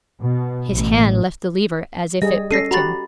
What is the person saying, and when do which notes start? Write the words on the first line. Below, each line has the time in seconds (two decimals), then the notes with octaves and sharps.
His hand left the lever as if it pricked him.
0.20 B2
0.70 A1
2.22 G3 G#4 D#5
2.51 C#4 A4 A#6 C7 D#7
2.71 F#4 G4 A#5 B5 A6